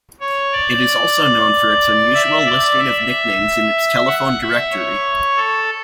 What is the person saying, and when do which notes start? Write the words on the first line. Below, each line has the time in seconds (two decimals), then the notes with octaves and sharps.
It is also known for its unusual listing of nicknames in its telephone directory.
0.20 C#5
0.52 D5
2.14 E5
2.46 D5
2.79 E5
4.07 F#5
4.40 E5
4.72 C#5
5.37 A4